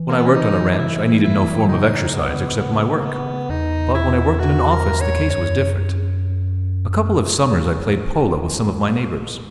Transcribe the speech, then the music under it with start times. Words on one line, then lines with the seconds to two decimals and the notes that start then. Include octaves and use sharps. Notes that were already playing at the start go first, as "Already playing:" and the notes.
When I worked on a ranch, I needed no form of exercise except my work, but when I worked in an office the case was different. A couple of summers I played polo with some of my neighbors.
Already playing: E3
0.09 A#3
0.18 B3
0.26 C#4
0.34 D#4
0.72 D#4
0.79 E4
1.24 E4
1.69 C#3 D#4
2.14 B3
2.59 B3
3.00 A#3
3.05 B3
3.50 E2 D#4
3.95 E4
4.40 F#4
4.71 A#4
5.01 C#5
5.30 F#2 C#5